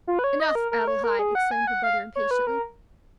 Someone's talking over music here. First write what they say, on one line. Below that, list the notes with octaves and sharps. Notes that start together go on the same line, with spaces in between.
"Enough, Adelaide!" exclaimed her brother, impatiently.
F4
B4
C#5
D#5
A#4
A#4
C#5
A#4
G#4
F#5
G#5
F#5
F5
C#5
B4
A#4